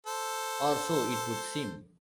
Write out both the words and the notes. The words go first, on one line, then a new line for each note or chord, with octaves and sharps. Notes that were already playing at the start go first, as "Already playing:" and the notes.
Or so it would seem.
A4 C5